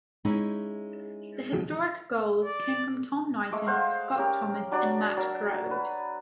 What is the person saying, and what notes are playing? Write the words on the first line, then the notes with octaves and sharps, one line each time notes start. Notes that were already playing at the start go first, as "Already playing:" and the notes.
The historic goals came from Tom Knighton, Scott Thomas and Matt Groves.
G#3 C#4 D#4 E4
D5
G#3 A3 D6
C5 F5 F#5
C#4 G4 A#4
F#3 D4 D5 D6
F#3 A#4 A5
B4